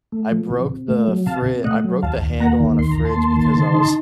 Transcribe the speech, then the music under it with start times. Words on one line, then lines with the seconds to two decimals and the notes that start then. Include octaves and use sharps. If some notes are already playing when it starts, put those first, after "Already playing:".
I broke the fri I broke the handle on a fridge, because I was
0.12 A3
0.31 F3
0.50 C3
0.69 C3
0.88 A3
1.07 F#3
1.26 C3 F5 A5
1.46 C3
1.64 A3 D#5 F#5
1.84 F#3
2.02 D#2 F5 A5
2.22 D#2
2.40 A#3 F#5 A#5
2.60 D#3
2.79 D#2 C6
2.91 A#5
2.97 D#2
3.05 A5 C6
3.16 A#3
3.36 D#3
3.54 C#3
3.74 D#4